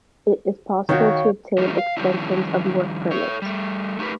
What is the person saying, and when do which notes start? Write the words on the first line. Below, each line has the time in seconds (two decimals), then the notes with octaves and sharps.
It is possible to obtain extensions of work permits.
0.89 D#3 F#4 C#5 F5 G5
1.58 E3 G3 A3 D#4 F4
1.78 F5
1.97 D#3 F3 G3 C#4 D4 E4
3.11 A4 C#5
3.42 G3 A3
3.99 A3 D#4 G4 A#4 B4